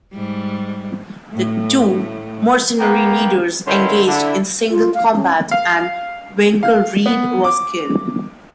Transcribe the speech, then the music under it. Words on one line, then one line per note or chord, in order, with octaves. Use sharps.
The two mercenary leaders engaged in single combat, and Winkelried was killed.
G#2 G3
A2
A#3 B3 G5
G2 D3 D#3 C#4 E4 C6
D3 E4
F4
F5
C#4
F5
F5
B3
D6